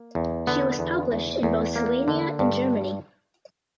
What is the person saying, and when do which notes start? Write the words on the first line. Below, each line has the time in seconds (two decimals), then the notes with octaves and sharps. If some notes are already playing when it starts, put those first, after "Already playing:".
She was published in both Slovenia and Germany.
Already playing: A#3
0.15 E2
0.47 D3 B3
0.79 E2
1.12 E2
1.43 E2
1.76 A#3
2.08 D3
2.39 G2